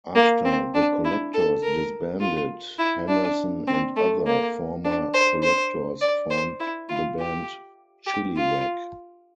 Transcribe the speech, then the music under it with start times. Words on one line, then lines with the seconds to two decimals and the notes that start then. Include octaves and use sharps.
After The Collectors disbanded, Henderson and other former Collectors formed the band Chilliwack.
0.15 A#3
0.45 C4
0.75 D4
1.04 E4
1.34 A4
1.63 A#4
2.20 F4
2.79 E4
3.08 D4
3.67 C4
3.96 A3
4.26 A#3
4.84 D4
5.14 C5
5.43 C5
6.01 D5
6.31 C5
6.60 E4
6.89 F4
7.19 G4
8.06 G4
8.37 F4